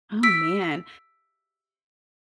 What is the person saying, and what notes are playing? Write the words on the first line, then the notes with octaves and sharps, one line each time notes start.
Oh, man.
E6 B6 D7